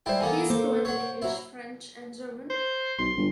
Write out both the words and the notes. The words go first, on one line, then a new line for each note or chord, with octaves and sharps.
He is fluent in English, French and German.
G3 G#3 E4 C5 G5
E3 A#3 B3 A4 G#5
A#3 C5 D6
C#5 F#5
F#3 E4
C5
B1 C6
G1